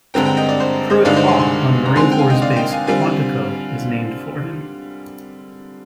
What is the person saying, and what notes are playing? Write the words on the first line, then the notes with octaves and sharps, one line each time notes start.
Pruitt Hall on Marine Corps Base Quantico is named for him.
G2 D3 G#3 C4 G5 A#5
G5 A#5
D#5 G5
D5
C5
C5 D#5
G2 D3 G#3 D#4 D5 F5
C5 D#5
G#5 C6
G#5 C6
A#5
D3 G#3 C4 D#4 G#5 C6
G5
F5 G#5
D#5 G5
D5 F5
D#5 G5
F5 G#5
D3 G3 C4 F4 F5 G#5